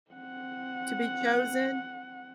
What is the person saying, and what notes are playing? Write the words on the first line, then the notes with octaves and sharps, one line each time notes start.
to be chosen.
C4 F#5